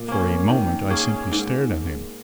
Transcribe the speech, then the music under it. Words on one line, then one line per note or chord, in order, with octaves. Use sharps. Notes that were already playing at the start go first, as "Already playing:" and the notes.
For a moment I simply stared at him.
Already playing: A#2
A#3 C#4
D#3
A#3 C#4 G#4
G#2